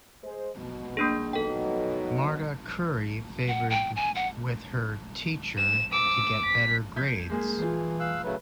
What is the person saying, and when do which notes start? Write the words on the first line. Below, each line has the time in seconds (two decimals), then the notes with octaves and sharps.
Marta curry favored with her teacher to get better grades.
0.23 G#3 G#4 C5
0.55 B2
0.97 A#3 D4 G#4
1.33 B2 F#3 D#4 A4 G5
3.48 F#5
3.70 G5
3.96 G#5
4.15 F#5
5.58 E7
5.93 D6 E6
6.45 B6
6.96 G6 G#6 B6
7.30 G#3 A#3 G#4
7.58 E3 F4 G#4
8.00 F5 E6 F#6
8.24 C#3 F#3 A3 B4